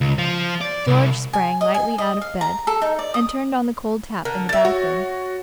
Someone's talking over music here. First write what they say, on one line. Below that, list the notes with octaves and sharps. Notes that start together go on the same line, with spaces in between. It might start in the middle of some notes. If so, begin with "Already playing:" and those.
George sprang lightly out of bed, and turned on the cold tap in the bath-room.
C#2
F3
D5
C2
G#5
D#5
G#5
D#5
F5
A#5
A4
D#4
D5
D#6
D3 A#4
G3 E5 A6
F#4 C#5